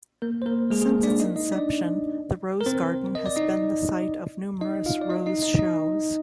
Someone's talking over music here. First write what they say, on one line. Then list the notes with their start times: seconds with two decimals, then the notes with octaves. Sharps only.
Since its inception, the Rose Garden has been the site of numerous rose shows.
0.22 A#3 A#4
0.42 C5
0.46 A#3 A#4
0.70 G#3 G#4
0.81 G#4
0.87 A#3 A#4
1.03 D4 D5
1.20 D#4 D#5
1.36 D#4 D#5
1.52 D4 D5
2.61 A#4
2.66 C4 C5
3.15 D#5
3.26 D5
3.36 D#4 D#5
4.61 D#4 D#5
4.86 F4 F5
5.02 D5
5.10 D#4 D#5
5.26 D#4 D#5
5.42 D#4 D#5
5.59 D#4 D#5